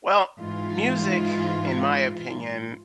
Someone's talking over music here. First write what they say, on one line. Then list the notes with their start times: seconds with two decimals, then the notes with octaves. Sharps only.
Well, music, in my opinion,
0.39 G#2 E3 F4